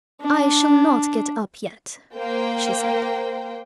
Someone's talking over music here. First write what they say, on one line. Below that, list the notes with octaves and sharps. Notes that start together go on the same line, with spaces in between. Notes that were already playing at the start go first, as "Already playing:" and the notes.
"I shall not get up yet," she said.
D4
A#3 C5 G5